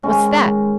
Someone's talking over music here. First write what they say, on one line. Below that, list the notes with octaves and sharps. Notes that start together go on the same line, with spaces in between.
"What's that?"
G#2 D#3 G#3 C#4